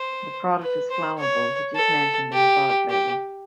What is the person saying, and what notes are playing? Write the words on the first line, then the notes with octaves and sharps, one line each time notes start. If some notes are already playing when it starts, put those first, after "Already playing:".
The product is flammable, which is mentioned in the product label.
Already playing: C5
B4
C5
C#5
A4
G4
G4